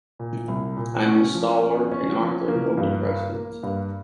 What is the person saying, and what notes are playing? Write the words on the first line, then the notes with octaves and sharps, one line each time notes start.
I am a Stalwart and Arthur will be President.
A#2
C2
A#2
C#4
F3
C#4
C#4
F3
A#3
G2
A#3
A#3
G2